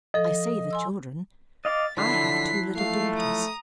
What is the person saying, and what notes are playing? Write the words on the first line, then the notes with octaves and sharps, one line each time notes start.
I say the children; I have two little daughters.
F3 A4 D#5
G#5 C6 E6
D#5 F5 D6 A6
D3 F3 F#3 E4 B6 C7
A3 F5 C7
A#5 D#6